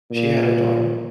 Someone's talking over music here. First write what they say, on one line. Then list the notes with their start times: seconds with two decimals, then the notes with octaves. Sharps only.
She had a daughter.
0.11 A#2